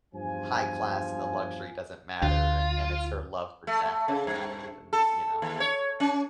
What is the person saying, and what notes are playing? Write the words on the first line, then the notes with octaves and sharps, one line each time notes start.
high class and the luxury doesn't matter, and and it's her love for Jack that mattered, and, you know?
E2 G2 F3 F4 G#5
D2 F4
A3
A3
C#3
G2
A4
D#2
C#5
C#4